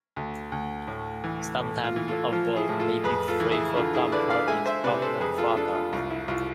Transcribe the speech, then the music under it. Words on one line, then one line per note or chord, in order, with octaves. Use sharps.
Sometimes a vote may be free for some parties but not for others.
D2
D2
A2
E3
A2
F4
E3
F4 A4
F3 F4
E4 G#4
A2
F4 A4
F2 G#4 B4
F4 A4
E3
E4 G#4
D3 F4
E4 G#4
D3 B4 D5
D5 F5
G#3 E5 G#5
C5 E5
C3 B4 D5
A4 C5
F2 G#4 B4
F4 A4
D4 F4 A4
F4
C2 F4
E4
C2 F4